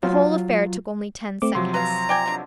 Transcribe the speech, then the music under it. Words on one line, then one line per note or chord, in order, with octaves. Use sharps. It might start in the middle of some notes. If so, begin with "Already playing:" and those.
The whole affair took only ten seconds.
F#3 F4
A3 C4 D6
C3 F3 F#3 C6
B4 F5 A#5
D5 G5 G#5
B2 D3